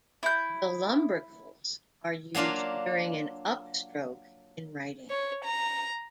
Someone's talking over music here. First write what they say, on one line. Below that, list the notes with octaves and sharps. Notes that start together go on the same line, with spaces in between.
The lumbricals are used during an upstroke in writing.
E4 G6
F#3 A#3 D4 F4 F5
C#5
A#5